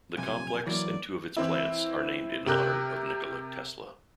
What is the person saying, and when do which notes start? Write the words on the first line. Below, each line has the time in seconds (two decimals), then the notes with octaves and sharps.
The complex and two of its plants are named in honor of Nikola Tesla.
0.18 B1 F2 C3 G#5
0.66 E3 F#3 A#3 D5
1.36 E3 C4 E4
2.46 C3 G4 A#4 F#6